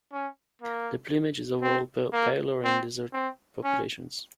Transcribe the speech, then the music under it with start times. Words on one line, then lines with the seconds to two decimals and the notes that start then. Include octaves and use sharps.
The plumage is overall paler in desert populations.
0.12 C#4
0.62 A#3
1.62 C4
2.13 A#3
2.64 C4
3.13 C4
3.64 C#4